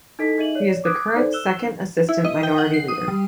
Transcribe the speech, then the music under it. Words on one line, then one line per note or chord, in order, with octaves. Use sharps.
He is the current Second Assistant Minority Leader.
D#4 E4 A4 D#5 B6
D#4 G#4 D#5 E5 D#7 F#7
C#5 D5
D6 D#6 F#6 G#6 D7
D#4 A4 C5 D5
E6 F#6 E7 G7
E4
D#5
G5
F#5
C7
D#6
G3